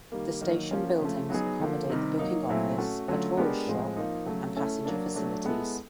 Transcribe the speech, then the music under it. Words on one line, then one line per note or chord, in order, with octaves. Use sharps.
The station buildings accommodate the booking office, a tourist shop and passenger facilities.
D#3 G3 A#3
D#3 F#3 A#3
F3 A#3 C#4
C#3 F3 A3
F#3 B3 D#4 G#4
D3 F3 A#3
C3 D#3 G3
F#3 A#3 D#4
A#2 F#3 A3 C4 E4
A3 C#4 F#4 A4
D3 F#3 A3 C#4 F4
G#3 B3 D4 G4 A#4
A2 F3 G#3 C4
F3 A#3 D#4
C#3 F#3 A3
A3 C#4 E4 A4
F#3 A#3 D4
F#3 A3 D4
G#3 B3 E4 A4